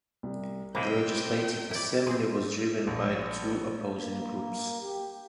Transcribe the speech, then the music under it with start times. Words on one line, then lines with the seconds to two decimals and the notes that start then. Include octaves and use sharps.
The Legislative Assembly was driven by two opposing groups.
0.23 C2
0.75 C3 G#3 A#3 C4 G5 B5
1.71 E4 D5
2.07 C4 G#4 C6
2.87 A#1
3.97 A#3
4.81 G4